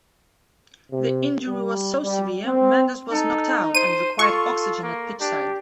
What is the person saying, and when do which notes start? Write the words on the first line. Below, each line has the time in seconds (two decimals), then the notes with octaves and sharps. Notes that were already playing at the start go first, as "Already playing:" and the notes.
The injury was so severe Mendes was knocked out and required oxygen at pitchside.
0.92 C3
1.47 G3
2.04 G3
2.45 C4
3.11 D#4 A4
3.75 C5 D#7
4.19 F4 A4 C#6
4.83 A#3
5.20 D4 G4